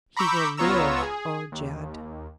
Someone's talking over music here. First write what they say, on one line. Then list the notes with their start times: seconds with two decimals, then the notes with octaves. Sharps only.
"He will live, O Jed."
0.17 A#5 B5 C#6 D6 E6 G6
0.57 C#2 B3 F4 C#5 A#5 E6
1.03 G#4
1.52 D#2